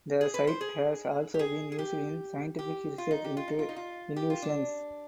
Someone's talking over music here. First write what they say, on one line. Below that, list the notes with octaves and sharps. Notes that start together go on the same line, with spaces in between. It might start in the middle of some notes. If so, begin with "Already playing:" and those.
The site has also been used in scientific research into illusions.
G#4
B4
C5
G#4
G4
G#4
G#4
G4
G4
F4
D#4
G4
F4
D#4
F4
D#4
F4
G4
F4
D4